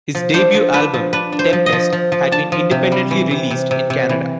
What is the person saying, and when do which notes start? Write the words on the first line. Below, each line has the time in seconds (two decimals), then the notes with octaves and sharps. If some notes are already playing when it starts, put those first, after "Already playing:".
His debut album "Tempest" had been independently released in Canada.
0.15 F3
0.34 D4 C5
0.54 F3
0.74 D4 B4
0.94 F3
1.13 D4 B4
1.32 D4
1.39 C5
1.53 F3
1.66 D#5
1.73 F3
1.93 F3
2.12 F3
2.31 D4 A5
2.52 F3
2.71 C3
2.92 G3
3.11 E3
3.31 C3
3.51 C3
3.71 C3
3.90 C3
4.09 E3